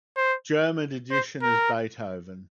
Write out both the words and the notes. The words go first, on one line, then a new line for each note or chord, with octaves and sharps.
German edition as Beethoven.
C5
C5
A#4